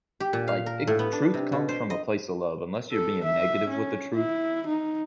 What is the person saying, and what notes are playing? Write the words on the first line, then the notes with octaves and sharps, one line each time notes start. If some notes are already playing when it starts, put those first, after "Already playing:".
like, it truth comes from a place of love- unless you're being negative with the truth-
G4
A#2
F5
A#4
A2
B3
D4
C3
B2
C5
D#5
A4
E5
C#4
E4
D#4